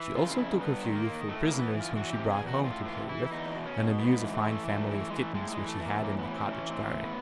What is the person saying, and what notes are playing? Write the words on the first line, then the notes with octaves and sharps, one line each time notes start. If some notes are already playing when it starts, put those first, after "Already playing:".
She also took a few youthful prisoners, whom she brought home to play with and amuse a fine family of kittens, which she had in the cottage garret.
Already playing: E3
C#3 F4
F4
F2 E4
G2 B3
D#3
A#3
D#3
A2 A3
A#3
E3
B3
E3
F4
E3 F#4
G4
C3
G#4
E2
F#4
A2 F4
E3 F4
E3 E4
E4
E2 D#4
B2
C#4
B2
G#2 B3
E3
A3
E3 G#3
A3
G2 A3
E3
A3
E3 G#3
A3
A2 G#3
G#3
E3
A3
E3
A#3
A2 A#3
B3
E3
C4
E3
C#4
A2 C4
E3
B3